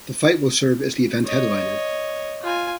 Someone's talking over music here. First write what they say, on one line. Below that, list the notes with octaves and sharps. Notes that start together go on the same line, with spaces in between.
The fight will serve as the event headliner.
C#5 D#5
F4 G#5